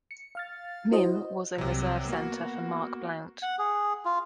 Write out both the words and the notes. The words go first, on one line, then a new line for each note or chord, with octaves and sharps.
Mihm was a reserve center for Mark Blount.
C#7
F5 F6 A6
E4 F#4 C5 D#5
C2 C3 F#3
A#3 B3 F#4
F#5
G#4
F4